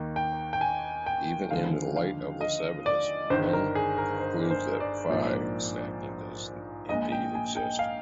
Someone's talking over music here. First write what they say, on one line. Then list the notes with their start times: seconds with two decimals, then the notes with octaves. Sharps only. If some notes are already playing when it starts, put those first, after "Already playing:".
Even in light of this evidence, Grimme concludes that pi stacking does indeed exist.
Already playing: D#2 D#3 A#3
0.16 G5
0.53 G5
0.61 G#5
1.06 G5
1.51 D#2 D3 F3 G#3 F5
1.96 F5
2.41 D#5
2.86 D5
3.30 G1 G2 D#3 C5
3.53 A#4
3.75 G#4
3.98 A#4
4.20 C5
4.51 C5
4.80 D5
5.10 A#1 G#2 F3 A#3
6.89 A#1 A#2 G#3 D#5
7.12 G5
7.35 G#5
7.56 G5
7.79 F5